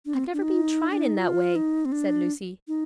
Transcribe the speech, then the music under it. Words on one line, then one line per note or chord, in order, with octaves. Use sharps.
"I've never been tried in that way," said Lucy.
D4
C4
D4
D#4
D4
D#4
F4
D#4
C4
D4
D#4